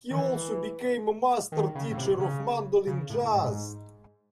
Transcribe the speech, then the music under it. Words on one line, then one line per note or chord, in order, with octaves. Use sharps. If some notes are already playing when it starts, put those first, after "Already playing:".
He also became a master teacher of mandolin jazz.
D#3
E3
D#3
C#3
A2
C3
C#3
C#3
A2
G#2